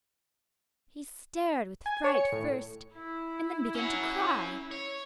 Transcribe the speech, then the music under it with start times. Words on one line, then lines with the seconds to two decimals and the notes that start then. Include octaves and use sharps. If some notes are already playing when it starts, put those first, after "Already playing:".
He stared with fright first, and then began to cry.
1.86 G#5
2.04 C#5
2.17 C#7
2.32 A2
2.95 E4
3.75 C#4 F#5
4.71 C#5